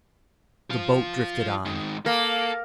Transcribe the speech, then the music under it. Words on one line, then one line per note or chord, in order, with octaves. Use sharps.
The boat drifted on.
F3 F4
G#2 D#3
A#3 A4